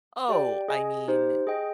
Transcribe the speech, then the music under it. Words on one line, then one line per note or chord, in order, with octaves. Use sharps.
Oh, I mean, w
G4 D5 G5
G#4 D#5 G#5
D#4 G4 C5
G#4 D#5 G5